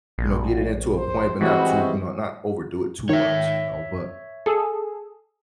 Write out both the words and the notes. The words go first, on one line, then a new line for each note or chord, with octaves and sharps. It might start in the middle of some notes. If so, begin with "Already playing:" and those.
you know, get it into a point, but not too you know, not overdo it too much, you know, but
A#1
C5
E3 G3 G#3 C4 F#4
D#3 C#5 E5
G#4 A4